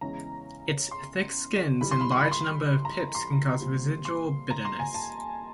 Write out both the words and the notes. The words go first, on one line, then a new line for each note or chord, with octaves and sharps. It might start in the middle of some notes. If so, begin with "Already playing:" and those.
Its thick skins and large number of pips can cause residual bitterness.
E2 C#3 E3 G#3 C#4 A#5
C6
C3 E3 G3 B5
C6
B5
C6
B5
C6
B5
A#5
B5
C6
A#2 G3 C4
C6
A#5
C6
G#5
A5